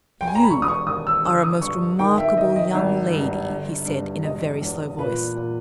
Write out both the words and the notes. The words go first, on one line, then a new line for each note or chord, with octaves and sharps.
'You are a most remarkable young lady,' he said, in a very slow voice.
G5
G#5
A#5
B5
E1 C#6
D#6
C#6
D#2 D#6
E6
G1 E6
D#6
G2 C#6
D#3 G5
E5
D#3 D#5
D#5
G#1
G2
G1
G2
E1 D#5
E2
A#2 B4
A#2